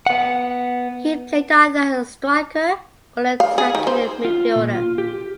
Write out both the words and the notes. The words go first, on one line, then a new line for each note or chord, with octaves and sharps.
He played either as a striker or an attacking midfielder.
B3 F#5
F5
G#4
D#3
C5
F4
A#2
F4
G4